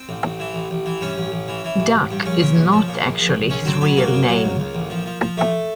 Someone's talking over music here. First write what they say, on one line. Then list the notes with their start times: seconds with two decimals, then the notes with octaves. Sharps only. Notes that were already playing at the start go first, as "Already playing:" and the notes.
Duck is not actually his real name.
Already playing: C4
0.09 A1
0.23 A1
0.40 E3
0.54 A1
0.71 A1
0.86 E3
1.01 G2 C#4
1.18 A1
1.32 A1
1.48 E3
1.64 E3
1.80 A1
1.95 A1
2.11 G2
2.25 A#1 C#4
2.42 A#2
2.57 A#1
2.72 F3
2.88 A#2
3.04 A#1
3.19 A#1
3.35 A#1
3.50 C#2 C#4
3.65 F#3 C4
3.81 F#3 B3
3.97 F#3 A#3
4.13 B2
4.28 F#3
4.44 C#2
4.60 C#2
4.75 A1
4.90 F3
5.06 F3
5.21 F3
5.37 A1 A3